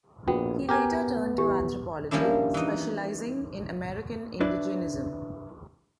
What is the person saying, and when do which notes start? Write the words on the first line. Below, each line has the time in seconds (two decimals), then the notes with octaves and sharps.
He later turned to anthropology, specializing in American Indigenism.
0.28 A#1 B3 F#4 G5
0.69 B3 G4 A#4 G#5
1.38 E3 G4
2.11 F3 G3 A#3 C#4 D4 E4
2.54 E3 D#4
4.40 D4 E4 B4 D5